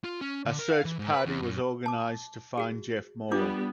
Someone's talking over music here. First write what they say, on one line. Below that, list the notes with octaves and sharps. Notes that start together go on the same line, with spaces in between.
A search party was organized to find Jeff Moore.
F4
C#4
D3
A#4
F5
E3
G#2
B4
E2
F#2
A5 D6
F#4 G#4
G3 B3 D4 F4 D6